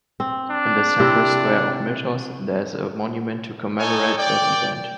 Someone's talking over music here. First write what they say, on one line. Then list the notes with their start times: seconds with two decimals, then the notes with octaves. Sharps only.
In the central square of Myrtos there is a monument to commemorate that event.
0.20 C4
0.51 D4
1.00 C3 C4 E4
3.79 D#4 A4 C#5 G#5
4.18 D5 G5